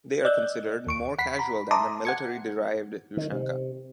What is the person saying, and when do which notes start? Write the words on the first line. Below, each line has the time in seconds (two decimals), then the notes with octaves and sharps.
They are considered more casual than the military-derived ushanka.
0.25 D5 D#5 E6 F#6 G6
0.87 D#2 C#6 D7
1.18 F#5 B5 B6 C7
1.39 A#5 B5
1.71 E5 A5 A#5 C6 D6 D#6
2.05 F#5 G#6 C#7
3.17 D#3
3.32 C3